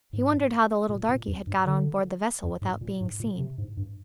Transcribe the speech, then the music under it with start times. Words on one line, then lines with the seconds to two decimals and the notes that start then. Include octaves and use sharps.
He wondered how the little darky had got on board the vessel without being seen.
0.13 G#2
0.89 A#2
1.09 A#2
1.28 F2
1.47 G2
1.66 D3
2.43 F2
2.62 G#2
2.81 A#2
3.01 G#2
3.20 A#2
3.39 C3
3.58 G#2
3.77 G2